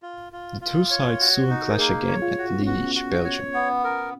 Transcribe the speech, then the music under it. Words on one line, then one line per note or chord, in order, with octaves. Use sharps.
The two sides soon clash again at Liege, Belgium.
F4
F4
F4
C#5
F#4
D#4
A#4
A#3 G#4
C#5
F4
F#4
C#4
B3 F#4
F#4
C#5
B3
A#4